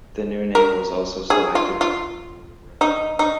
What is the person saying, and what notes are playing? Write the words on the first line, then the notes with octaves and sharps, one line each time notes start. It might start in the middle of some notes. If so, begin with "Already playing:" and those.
The new name was also selected through a voter referendum.
A#4
G#4
F4
F4
D#4
D#4